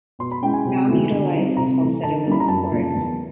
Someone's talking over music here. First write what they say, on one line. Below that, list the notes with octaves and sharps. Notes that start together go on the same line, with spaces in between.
Nam utilized his falsetto in its chorus.
B2 C6
B5
G#3 C#4 E4 G5
G#5
C3
D#3 F#3 B3 E4
D3
G3 C4 D#4
C3 A#5
E3 A3
D3 A5
G3 A#3 C#4 E4 B5
A#5
F#2 A5
C#3 F3 A#3
E2